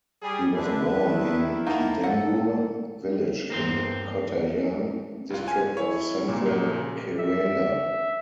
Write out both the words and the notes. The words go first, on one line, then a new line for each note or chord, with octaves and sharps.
He was born in Kidangur village in Kottayam district of central Kerala.
G3 G#4
D3 D4 B4 E5
D#3 E4
A#3 D#4 F#5 A5 A#5
A4 F#5
G2 A#3 C4 C5
C2 F4
G#5
E4 C#5
A#2 A#3
A#1
C#3
E5